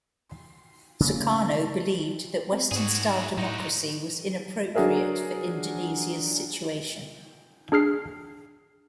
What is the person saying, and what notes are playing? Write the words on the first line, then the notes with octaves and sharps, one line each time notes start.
Sukarno believed that Western-style democracy was inappropriate for Indonesia's situation.
C#3 A#3
C4
G#2 F#4 G#4
A2 D#4 F#4
F#3 D4 F#4 G#4 A#4 E5
D4 G#4 F6 C7